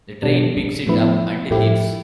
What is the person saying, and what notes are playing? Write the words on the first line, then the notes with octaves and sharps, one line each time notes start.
The train picks it up and leaves.
B2 G3 D4
A2 F3 B3 E4
A2 F3 A3 E4 G4